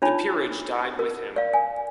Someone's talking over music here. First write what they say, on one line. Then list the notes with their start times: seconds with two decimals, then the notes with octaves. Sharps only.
The peerage died with him.
0.02 D4 D#4 F4 C#5 A5 B5
0.99 A#4
1.36 D5 F5
1.53 G#5